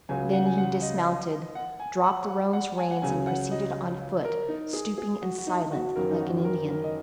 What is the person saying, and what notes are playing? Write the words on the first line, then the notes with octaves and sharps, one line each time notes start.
Then he dismounted, dropped the roan's reins, and proceeded on foot, stooping and silent, like an Indian.
C#2 C#3 F#3 G#5
F#5
G#5
F#5
D#5
F#5
G#5
F#5
F#5
F#5
G#5
F#5
C#2 C#3 F#3 G#5
F#5
D#5
A#4
D#4
G#4
G#4
F#4
F#4
D#4
F#4
F#1 F#2 D#3 F#3 A#4
D#4
F#4
A#4
A#4
D#5